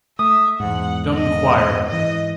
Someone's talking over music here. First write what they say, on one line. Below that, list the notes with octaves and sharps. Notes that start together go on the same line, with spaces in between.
Don't inquire about me.
A3 E5 D#6
E2 G#2 F#5
D#5
G#2 E3 D#5